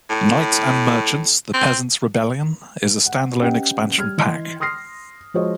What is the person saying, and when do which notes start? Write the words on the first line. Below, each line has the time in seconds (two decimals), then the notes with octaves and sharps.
"Knights and Merchants: The Peasants Rebellion" is a standalone expansion pack.
0.10 A2
1.54 C4
3.06 F#5
3.42 C#4 G4 B4 D#5 F#5 G5
3.98 G3 F6 G#6
4.18 E3 D#5 C6
4.60 C6 D#6 F6 A#6 C7
5.34 F3 G#3 F#4 C5 C#5 D#5